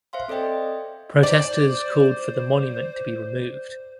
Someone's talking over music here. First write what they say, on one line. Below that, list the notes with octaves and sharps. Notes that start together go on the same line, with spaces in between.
Protesters called for the monument to be removed.
C5 E5 F5 C6
C4 A4 D5 D#5 G5
C5 D5